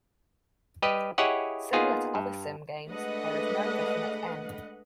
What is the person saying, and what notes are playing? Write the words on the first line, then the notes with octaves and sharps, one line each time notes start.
Similar to other Sim games, there is no definite end.
G3 G4 B4 D#5
E4 G4 G#4 C#5 D#5 F#5
A#3 B3 D#4 F4 G#4
G2
G#3 A3 D4 B4 D#5 F#5